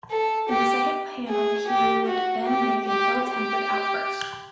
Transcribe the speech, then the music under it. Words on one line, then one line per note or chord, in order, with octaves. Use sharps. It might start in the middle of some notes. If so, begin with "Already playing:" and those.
In the second panel he would then make an ill-tempered outburst.
A4
G4
G#4
G4
F#4
G4
G4
G4